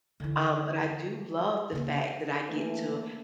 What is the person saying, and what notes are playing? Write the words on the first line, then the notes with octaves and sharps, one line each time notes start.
Um, but I do love the fact that I get to
D3 E3
C#3 A#3
E3 A3 A#3